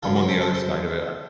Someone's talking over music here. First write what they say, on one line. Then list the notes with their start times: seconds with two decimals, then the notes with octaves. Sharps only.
I'm on the other side of it a
0.03 F#2 C#3 F4 A4
0.15 F#4 A#4
0.22 C#5
0.28 A4 C5
0.41 A4 C5
0.54 A4 C5